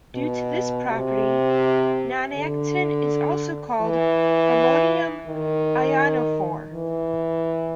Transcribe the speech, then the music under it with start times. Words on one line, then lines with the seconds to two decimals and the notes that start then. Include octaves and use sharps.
Due to this property, nonactin is also called "ammonium ionophore".
0.14 B2
0.88 C3
2.35 D3
3.81 E3
5.27 D#3
6.73 E3